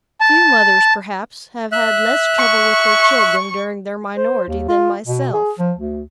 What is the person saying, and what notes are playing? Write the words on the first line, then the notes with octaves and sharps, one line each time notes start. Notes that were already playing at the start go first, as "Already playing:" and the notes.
Few mothers, perhaps, have had less trouble with their children during their minority than myself.
A5
E5 F#6
C#6
C5
D#2
F4
B2
G#4
F3
D2